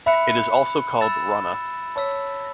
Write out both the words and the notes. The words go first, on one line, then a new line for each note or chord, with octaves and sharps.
It is also called Rana.
E5 B5 F#6 C#7
B5 E6 A6 E7
C#5 A5 E6 B6